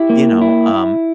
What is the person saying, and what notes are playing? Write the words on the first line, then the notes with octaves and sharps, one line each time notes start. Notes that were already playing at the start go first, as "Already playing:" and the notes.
you know, um
Already playing: E4 G4
A#3
E4